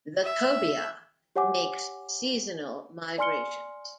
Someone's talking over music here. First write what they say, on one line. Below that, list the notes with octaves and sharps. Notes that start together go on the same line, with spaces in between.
The cobia makes seasonal migrations.
E5
G4 C#5 F#5 G#5 D6
D5 G#5 C6 F6 C#7 G7